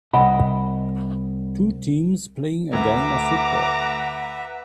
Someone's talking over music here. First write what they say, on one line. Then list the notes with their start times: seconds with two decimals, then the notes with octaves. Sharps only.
Two teams playing a game of football.
0.13 C2 D#5 F#5 B5
2.73 D2 B4 E5 F#5 A#5 D6